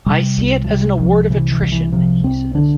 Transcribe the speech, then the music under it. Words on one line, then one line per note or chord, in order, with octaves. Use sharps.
"I see it as an award of attrition," he says.
C3 G3
C2
F3
C3 G3
C2 F3
F3
C3 E3
E3
C2
E3
C3 F3
C2 C4
D3 D4